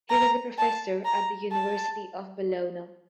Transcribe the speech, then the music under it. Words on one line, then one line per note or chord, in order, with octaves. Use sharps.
He was a professor at the University of Bologna.
A#5
A5
A#5
A5